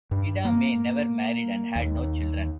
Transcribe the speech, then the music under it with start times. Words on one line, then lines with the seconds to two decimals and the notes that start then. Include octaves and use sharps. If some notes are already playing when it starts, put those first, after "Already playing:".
Ida May never married and had no children.
0.11 G2
0.45 A#3
1.76 D#2